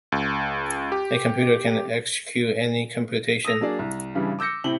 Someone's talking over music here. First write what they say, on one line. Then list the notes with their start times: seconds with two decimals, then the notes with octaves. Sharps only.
A computer can execute any computation.
0.12 C#2
0.92 G4
3.45 D#6 E6 A#6 F7
3.61 F#3 A#3 D4 G#4 D5
3.79 C2
4.15 G2 C#3 E3 G3 D4 E4
4.39 D6 E6 G6 A#6 C#7
4.64 A2 C3 E4 F#7 G7